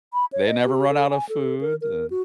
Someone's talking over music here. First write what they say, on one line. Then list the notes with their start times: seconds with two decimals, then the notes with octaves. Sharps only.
they never run out of food and
0.13 B5
0.32 C#5
0.46 D#5
0.64 G4
0.89 A4
1.10 G#5
1.29 A4
1.61 A#4
1.81 A#4
2.10 F#4